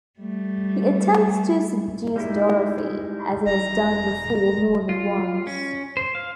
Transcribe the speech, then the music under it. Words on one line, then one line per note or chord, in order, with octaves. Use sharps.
He attempts to seduce Dorothy, as he has done before more than once.
G3 A3
G3 G#3 D#4 E4
E1 A#5
F4
C#4
C5
F5